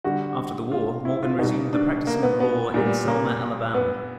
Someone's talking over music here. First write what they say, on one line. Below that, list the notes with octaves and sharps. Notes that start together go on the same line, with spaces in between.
After the war, Morgan resumed the practicing of law in Selma, Alabama.
D3 G3 F#4
F4
E4
F4
B2 G3 D#4
D4
A#3
B3
B3
A#2 G3
A#3
B3